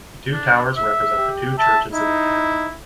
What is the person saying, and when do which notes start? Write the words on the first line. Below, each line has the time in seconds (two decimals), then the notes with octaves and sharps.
The two towers represent the two churches in the town.
0.31 D4
0.77 E5
1.18 G4
1.59 E5 A5
1.93 D#4 E4